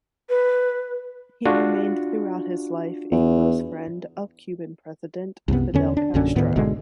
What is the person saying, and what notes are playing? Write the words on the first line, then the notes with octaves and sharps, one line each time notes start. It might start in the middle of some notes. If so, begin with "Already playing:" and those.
He remained throughout his life a close friend of Cuban president Fidel Castro.
B4
D4 F4 F#4
E2
C2 F#2 C3 B3
E2 D3 C#4
D4
A#1 F#2 D3 C#4
D2 A2 D#3 B3
G#1 B2 D3 G#3